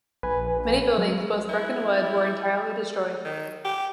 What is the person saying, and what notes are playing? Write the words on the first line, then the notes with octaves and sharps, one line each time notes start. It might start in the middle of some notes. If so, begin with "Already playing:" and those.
Many buildings, both brick and wood, were entirely destroyed.
A#1 B4 G#5
F#3
E4
D#3
G4